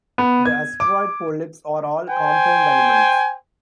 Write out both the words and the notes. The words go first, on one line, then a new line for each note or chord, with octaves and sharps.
The asteroid polyps are all compound animals.
B3
G#6
D6
C5 G5 G#5